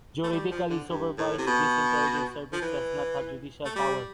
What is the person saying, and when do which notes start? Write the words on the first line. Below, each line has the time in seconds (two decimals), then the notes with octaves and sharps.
Juridically supervised, this intelligence service does not have judicial power.
0.24 A3
0.32 G3
0.51 F3
0.70 D3
0.90 G2
1.18 A2
1.38 C3
1.47 B2
2.52 F3
2.62 E3
3.65 A3
3.76 G3